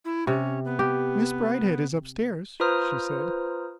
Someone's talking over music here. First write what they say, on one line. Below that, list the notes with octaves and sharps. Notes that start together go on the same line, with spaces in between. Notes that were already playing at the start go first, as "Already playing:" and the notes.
"Miss Bridehead is up-stairs," she said.
E4
C3 C#4
B3
G4
F4 B4 C5 A#5 D#6 F6